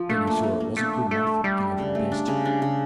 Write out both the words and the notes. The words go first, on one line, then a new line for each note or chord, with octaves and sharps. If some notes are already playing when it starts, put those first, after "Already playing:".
Then he saw it wasn't good enough, and gave it best.
Already playing: F3
A3 D4
A#3
A#3
A#3
A3 D4
D4
A3 A4
A4
G3 A3
D4
C#3
A3
D4
C#3
D4
C#3